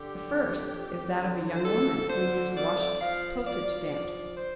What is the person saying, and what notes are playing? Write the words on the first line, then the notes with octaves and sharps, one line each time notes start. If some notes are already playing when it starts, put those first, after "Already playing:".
The first is that of a young woman who used washed postage stamps.
Already playing: D3 G4
F2
F2
D3
C5
F2 A4
D3 C5
F2 D5
F3 F5
F3 D5
F3 D5
C5